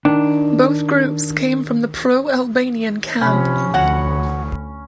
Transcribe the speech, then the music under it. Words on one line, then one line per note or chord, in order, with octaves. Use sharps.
Both groups came from the pro-Albanian camp.
D#3 D4
C3 F3 C#4 B5
D2 F#4 C#5 F#5